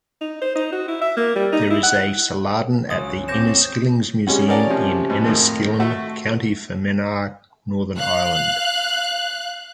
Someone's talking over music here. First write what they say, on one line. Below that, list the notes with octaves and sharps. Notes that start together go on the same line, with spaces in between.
There is a Saladin at the Inniskillings Museum in Enniskillen, County Fermanagh, Northern Ireland.
D#4
C5
D#4
F#4
E4
E5
A#3
G3
D#4
E4
F#5
C#2 G#2 C#3 F#3 D#6
B2 F3 C4 C#5 D6 G6 A#6 E7
C#2 G3 G#3 C#4 F#5
G#4 A#4 C#5 D5 F#5 A5
C3 F3 C#4
G#2 B2 F3
F2 A2 D#3
A3 F#4 A4 E5 F#5
F5 F#6